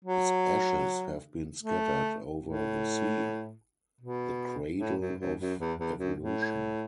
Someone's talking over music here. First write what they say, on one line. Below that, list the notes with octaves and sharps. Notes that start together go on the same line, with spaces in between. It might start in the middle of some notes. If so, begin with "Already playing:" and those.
His ashes have been scattered over the sea, the cradle of evolution.
F#3
A3
A2
B2
A2
F#2
F#2
F#2
E2
E2
F#2
A2